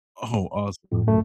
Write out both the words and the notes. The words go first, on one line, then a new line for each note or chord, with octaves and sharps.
Oh, awesome.
F2 A2
C#2 F#2 A3